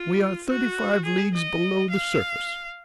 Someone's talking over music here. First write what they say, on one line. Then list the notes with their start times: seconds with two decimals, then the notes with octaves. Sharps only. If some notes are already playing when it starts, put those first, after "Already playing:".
"We are thirty-five leagues below the surface."
Already playing: F4
0.48 F#4
1.05 G#4
1.34 D#5
1.90 F5